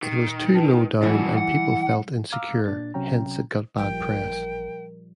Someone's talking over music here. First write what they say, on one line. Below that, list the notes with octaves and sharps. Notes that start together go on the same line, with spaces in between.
It was too low down and people felt insecure, hence it got bad press.
A#2 D#3
E4 B4 A5
F2 E3 F#3 G3 E4 F#4 D5
F#5
F5 A#5 D6 E6 F6
A#2 D4 A6
C2 C3 F#3 C#4 G5 A#5
A1 A#2 F3 G3 A#4 G5